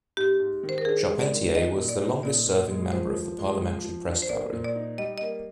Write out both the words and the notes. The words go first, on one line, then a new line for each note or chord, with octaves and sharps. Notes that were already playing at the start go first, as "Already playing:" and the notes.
Charpentier was the longest-serving member of the Parliamentary Press Gallery.
G#2 G4
G#2
D#3
C5
A#4
D4 G#4
G#3
D5
D#3
D#4 D#5
A#2
D5
D#4
A#2 D5
A#2
G#3
F3 C5
F3
G#3
F3
F3
D4
C5
A#3 D5
A#2
D5
D#4
G3 D#5
A#3 D#5